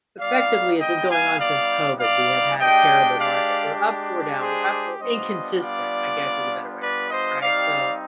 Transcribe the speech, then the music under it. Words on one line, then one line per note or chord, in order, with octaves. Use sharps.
effectively, it's been going on since COVID, we have had a terrible market, we're up, we're down, we're up, we're inconsistent, I guess, is a better way to say it, right? So,
G3 B3 D#4 D5 F5
D#5 G5
F5 G#5
D5 F5
D5 F5
G#3 D4 G4 D#5 G5
D5 F5
G#4 C5
G3 B3 D4 F4 C5 D#5
D5 F5
B4 D5
C5 D#5
G3 C4 D#4 G4 D5 F5